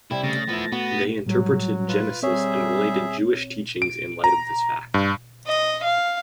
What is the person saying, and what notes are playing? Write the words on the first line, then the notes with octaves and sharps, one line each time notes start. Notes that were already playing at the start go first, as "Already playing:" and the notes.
They interpreted Genesis and related Jewish teachings in light of this fact.
C3 G3 E4
C#3 A3 A6 A#6
F3 B3 E4
B3 F#4
A2 F#3 G3
F4 B4
G3 C4 G#4 C#5 E5
D7
A#5
G2
D#5
F5